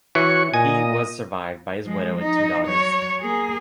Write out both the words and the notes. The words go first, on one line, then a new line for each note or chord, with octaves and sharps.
He was survived by his widow and two daughters.
E3 F#4 C#5 C#6
A#2 D#5 G#5
F3 G#3
D#4
F#3 C#5
A#3 G#4